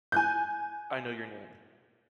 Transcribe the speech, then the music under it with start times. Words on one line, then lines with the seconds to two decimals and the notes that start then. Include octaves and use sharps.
I know your name.
0.12 G#5 F#6 G6